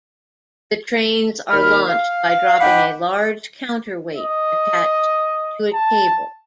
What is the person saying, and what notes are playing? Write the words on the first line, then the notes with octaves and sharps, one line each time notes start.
The trains are launched by dropping a large counterweight attached to a cable.
D#2 B5 F6
F5
D#4 F#5 G5 B5 D6
D#5
A5